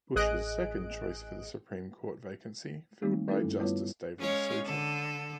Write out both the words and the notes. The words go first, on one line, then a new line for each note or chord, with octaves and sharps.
Bush's second choice for the Supreme Court vacancy filled by Justice David Souter.
A1 G#4 D#5 F#6 D7
D#3 G3 A3 A#3 C4 D#4
G3 A3 C#4 D#4 E4 A4
G2
G3 B3 E4 F4 B4 C#5
G#3 C#4 C#5 F5
D3 A4